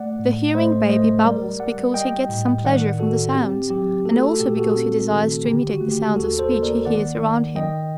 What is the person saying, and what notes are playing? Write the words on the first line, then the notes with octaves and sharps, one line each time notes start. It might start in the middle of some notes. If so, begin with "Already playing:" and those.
The hearing baby babbles because he gets some pleasure from the sounds, and also because he desires to imitate the sounds of speech he hears around him.
Already playing: A3 D5 F#5
A2
A3 C5 D#5
A3 C5 D#5
G3 A#4 D5
G3 D5 F#5
G3 D#5 G5
A2
D#3 D5 F#5
D#3 F#4 A4
C4 G4
F#3 G4
A3 F#4 A4
F#4 A4
A#2 G4
F#4 A4
C4
D#3
D3 G4
F#4
A3
G4
D#2 F#4 A4
A4 C5
A#3
A#4 D5
D#3 D5 F#5
D#3
D#3 D#5 G5